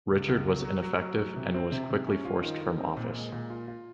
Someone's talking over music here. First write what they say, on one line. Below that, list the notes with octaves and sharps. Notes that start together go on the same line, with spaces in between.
Richard was ineffective, and was quickly forced from office.
C#2
C#2
F#3
F#3
F#3
F#3
F#3
C3
C4
C3
C3
C#4
F4
D#3
D#3
C4
A#2
G#3
A#2
F4
F4